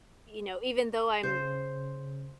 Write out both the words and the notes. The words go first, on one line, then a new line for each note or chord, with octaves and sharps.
m you know, even though I'm
C#3 C5